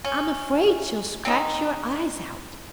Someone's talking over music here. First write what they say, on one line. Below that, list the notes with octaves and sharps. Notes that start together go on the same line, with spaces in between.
"I'm afraid she'll scratch your eyes out."
C#4
C4 C#4 D#4